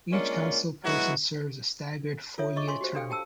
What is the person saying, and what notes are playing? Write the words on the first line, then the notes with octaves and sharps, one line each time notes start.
Each council person serves a staggered four-year term.
G#3 A#3 C#4 D4 F4
F#3 G#3 B3 E4 F#4
F4 A4 C#5 E5
G#4 D#5 C#6
G#5 C6 C#6
F#4 G4 C5
D4 G4 A4 F5 G5
G4 G5 A5 E6